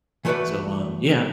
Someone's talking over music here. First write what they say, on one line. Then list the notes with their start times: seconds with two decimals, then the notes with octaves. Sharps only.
So, um, yeah.
0.25 E3 A3 F#4 B4 D5 E5